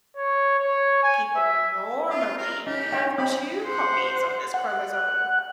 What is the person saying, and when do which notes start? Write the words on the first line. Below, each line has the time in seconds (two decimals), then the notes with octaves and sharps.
People normally have two copies of this chromosome.
0.16 C#5
0.59 C#5
1.03 G#5
1.36 E5
2.10 F4 D#6
2.38 A#4
2.67 C#4 D#4 G4 D#5
2.92 C#4 D4 C#5 D#5 F5 G5
3.18 C4 D4 G5 B5 D#6
3.64 C5 F#5
4.54 F#5